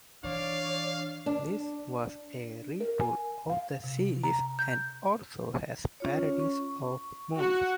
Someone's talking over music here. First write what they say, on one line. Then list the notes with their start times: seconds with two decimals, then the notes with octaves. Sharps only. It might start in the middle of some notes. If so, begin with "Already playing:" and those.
This was a retool of the series and also has parody's of movies.
0.24 E3 D4 C#5 D5 F5
1.26 D4
2.80 A#4
3.00 G#5
3.50 F5
3.84 C3
4.23 A#5
4.59 G6
6.00 C#4 F4 C#5
6.39 C#6
7.39 F#4